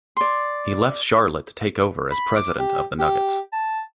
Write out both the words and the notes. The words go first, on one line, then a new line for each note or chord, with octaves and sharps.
He left Charlotte to take over as president of the Nuggets.
D5 C6
B5
D6
G4
G4
A5